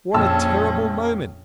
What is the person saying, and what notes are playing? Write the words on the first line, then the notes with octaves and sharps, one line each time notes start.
What a terrible moment!
A#1 F2 C#4 A5 E6